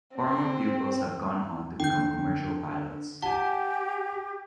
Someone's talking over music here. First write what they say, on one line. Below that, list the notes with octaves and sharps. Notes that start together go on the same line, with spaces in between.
Former pupils have gone on to become commercial pilots.
C4
D3 G5 G6
G4 F#5 G#5 A5